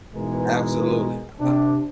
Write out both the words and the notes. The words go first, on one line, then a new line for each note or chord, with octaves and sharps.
Absolutely, I
G#2 B2 E3 G#3 A#4
C3 D4